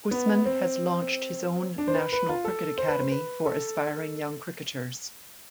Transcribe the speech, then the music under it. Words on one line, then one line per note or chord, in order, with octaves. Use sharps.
Usman has launched his own national cricket academy for aspiring young cricketers.
B3
C4
D4
C5
B4
B4
F4
A4
C5
B4
C5
B4
A4